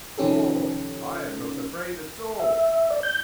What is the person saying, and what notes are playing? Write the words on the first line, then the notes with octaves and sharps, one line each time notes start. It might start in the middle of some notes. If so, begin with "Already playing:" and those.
'Oh, I am not afraid at all!'
C3 D#3 F3 C#4 G4 A4
E5
D5
G6